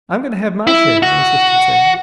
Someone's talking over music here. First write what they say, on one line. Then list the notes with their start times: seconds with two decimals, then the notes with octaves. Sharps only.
"I'm going to have my share!" insisted Sam.
0.67 E4
1.03 F#4